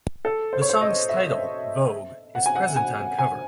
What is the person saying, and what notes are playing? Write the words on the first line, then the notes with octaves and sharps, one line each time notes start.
The song's title, "Vogue", is present on cover.
A4
C5
C#5
C5
D#5
E5
F#5
G#5
F#5
G#5
G#5